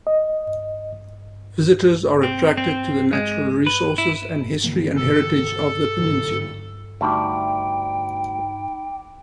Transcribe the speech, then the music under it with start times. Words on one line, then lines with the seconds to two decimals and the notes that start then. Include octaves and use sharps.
Visitors are attracted to the natural resources, and history and heritage of the peninsula.
0.07 D#5
2.23 C4
2.57 C4
3.13 G#3
3.67 B4
3.98 E4
4.64 D3 E3 A#3
4.96 A4
5.98 G#2 D3 F#3
7.01 D2 G3 D#4 G5 A5 B5 D6